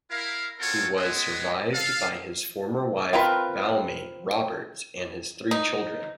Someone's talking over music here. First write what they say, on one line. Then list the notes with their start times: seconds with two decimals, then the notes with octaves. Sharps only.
He was survived by his former wife Valmai Roberts and his three children.
0.11 E4 A#4 F5
0.59 C4 F4 F#4 A4 A#4 C#5
0.97 G#3 B3
1.74 A4 F5
3.13 C4 F4 A#4 B4
5.51 D#4